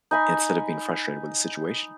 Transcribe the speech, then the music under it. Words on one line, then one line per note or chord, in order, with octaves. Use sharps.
instead of being frustrated with the situation.
D#4 G#5 B5